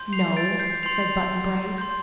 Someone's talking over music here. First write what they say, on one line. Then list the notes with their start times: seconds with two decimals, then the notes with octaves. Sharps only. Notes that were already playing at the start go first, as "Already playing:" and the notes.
"No," said Button-Bright.
Already playing: C6 G6
0.13 C7 F7
0.37 A6 D7
0.59 G6 C7
0.83 C6 G6 C7 F7
1.78 C6 G6